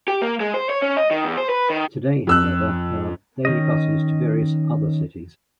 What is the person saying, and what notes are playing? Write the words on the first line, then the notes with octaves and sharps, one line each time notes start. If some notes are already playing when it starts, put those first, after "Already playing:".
Today, however, there are daily buses to various other cities.
G4
A#3
G#3
C5
C#5
C#4
D#5
D#3
E2
C5
B4
D#3
F2 E6 F#6
D#3 C#4 D#5